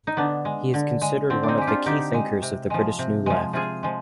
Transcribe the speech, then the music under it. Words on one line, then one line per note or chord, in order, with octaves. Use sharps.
He is considered one of the key thinkers of the British New Left.
D#4
D3 B3 D4
G#3
D3
G#3
D3 C4
D4
C4 D#4
G#3 G4
D4 F4
D3 D#4 G4
G#3
C3
F3 G#3
C3
F3 G#3
C3 F4 G#4
F3 G#3